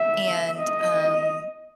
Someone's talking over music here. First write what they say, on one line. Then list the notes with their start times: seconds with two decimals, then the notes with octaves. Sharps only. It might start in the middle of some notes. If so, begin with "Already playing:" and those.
and, um,
Already playing: E5
0.59 D#5